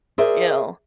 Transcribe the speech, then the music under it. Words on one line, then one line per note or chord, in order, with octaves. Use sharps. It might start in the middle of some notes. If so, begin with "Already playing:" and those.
you know?
G#4 A#4 C5 D5 E5